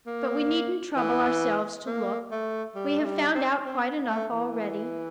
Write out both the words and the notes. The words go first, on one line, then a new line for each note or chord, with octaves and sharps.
But we needn't trouble ourselves to look; we have found out quite enough already.
A#3
E3
A#3
A3
G3
A3
G3
C4
C4
A3
E3